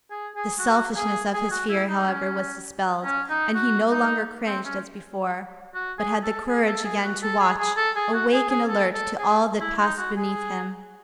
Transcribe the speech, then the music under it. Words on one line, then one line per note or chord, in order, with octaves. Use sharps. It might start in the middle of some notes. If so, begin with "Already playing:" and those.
The selfishness of his fear, however, was dispelled, and he no longer cringed as before, but had the courage again to watch, awake and alert to all that passed beneath him.
G#4
G#4
F#4
G#4
G#4
F#4
E4
D#4
C#4
C#4
D#4
F#4
D#4
C4
C#4
F#4
G#4
A4
G#4
A4
G#4
F#4
A4
G#4
G#4
A4
G#4
F#4
G#4
G#4
A4
A4
G#4
E4
D#4
F#4
G#4